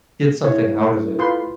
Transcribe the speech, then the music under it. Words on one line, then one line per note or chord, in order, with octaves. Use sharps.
get something out of it,
E4 C#5
E2 A3 D#5
F4 B4 C6